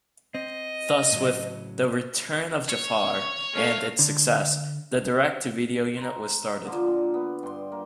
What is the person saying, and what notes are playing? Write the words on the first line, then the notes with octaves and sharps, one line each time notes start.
Thus with "The Return of Jafar" and its success, the direct-to-video unit was started.
C4 D#5
A2 C#3 F#3
C#5
A3 F5
D3
A#5 C6
D3 F3 A#3
A#2
B3
G2 C6
A#3